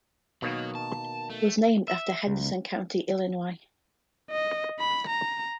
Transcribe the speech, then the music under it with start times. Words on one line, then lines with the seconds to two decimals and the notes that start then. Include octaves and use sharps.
Was named after Henderson county Illinois.
0.42 B2 D#3 F#3 A#3 C#5
0.75 A5
1.30 A3
1.88 E5
2.27 C#2
4.31 D#5
4.80 B5
5.09 A#5